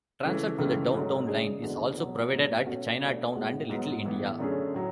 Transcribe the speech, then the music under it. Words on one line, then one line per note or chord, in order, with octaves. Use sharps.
Transfer to the Downtown Line is also provided at Chinatown and Little India.
C#3 E3 A3
C#2 C#3 E3 A3
G#2 F#3 A3 C#4
C#3 G#3 D4 G#4
E2 D3 G#3 B3 F#4
B2 F#3 B3
G#2 F#3 B3
B2 A3 C#4 F#4
B2 A3 D4
A2 G#3 B3 F#4
G#2 F#3 B3
A2 E3 B3
F#2 D3 A3 C#4 G#4
A2 F#3